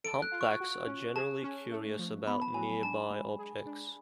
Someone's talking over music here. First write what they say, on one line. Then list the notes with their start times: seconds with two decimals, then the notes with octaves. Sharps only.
Humpbacks are generally curious about nearby objects.
0.04 A4 D7
0.22 F#6
0.32 F4
0.41 C#6
0.60 F#4
0.87 C#4
1.15 G#4 A5
1.43 C#4
1.71 A3
1.99 F3
2.27 B3 B5
2.42 A5
2.54 F#3 G#5
2.70 G#5
2.83 D4 A5
3.10 G#3
3.39 G#4
3.66 D4